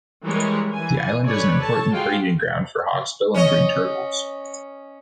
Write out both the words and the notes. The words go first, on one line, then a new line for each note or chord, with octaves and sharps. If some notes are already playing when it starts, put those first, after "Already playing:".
The island is an important breeding ground for hawksbill and green turtles.
E3 G3 G#3 A#4 C#5
E3 G#5
A4 B4 C#5 D5 G#5
A4 C#5 A5
G#3 F4 F#4 G#4 F5 G5
C#4 C#5 D#5